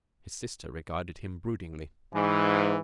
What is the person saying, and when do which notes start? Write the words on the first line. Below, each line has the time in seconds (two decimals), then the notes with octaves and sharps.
His sister regarded him broodingly.
2.12 G#2 E3